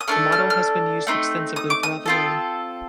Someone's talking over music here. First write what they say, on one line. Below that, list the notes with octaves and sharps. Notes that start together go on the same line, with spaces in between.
The model has been used extensively throughout the world.
D#6
A3 D4 A4 F6
F6
F6
A3 C4 D#4
D#6
D6
D#6
C4 F4 A4